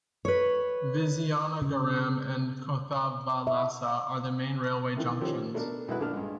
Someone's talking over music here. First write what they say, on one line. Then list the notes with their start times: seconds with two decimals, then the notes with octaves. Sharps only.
Vizianagaram and Kothavalasa are the main railway junctions.
0.25 B4 C#5
1.62 C#3
3.47 E5
4.97 C3 D#3 E3
5.21 D#3 F3 C#4 G4 C5
5.54 B2 A3 D4 A4 A#4
5.88 B1 G#3 E4 F#4 B4
6.00 A#1 D3 D4 A5 F6
6.14 G2 G#3